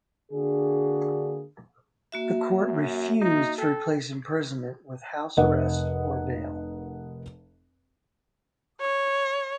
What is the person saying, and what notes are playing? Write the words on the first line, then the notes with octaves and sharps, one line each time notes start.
The court refused to replace imprisonment with house arrest or bail.
D3 A#3 D4 F#4 G#4
A#3 F#4 E5
F#2
D#4
A4 G5
F1 A#4 D#5 F#5
C#5